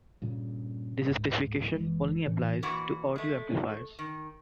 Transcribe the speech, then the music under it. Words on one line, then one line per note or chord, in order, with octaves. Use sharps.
This specification only applies to audio amplifiers.
G2 A#2 C#3
D1 G#2
F#1 E3 G#3
A2 C#3 E3 D4
A#2 E3 F#4
G#3 A3
D#3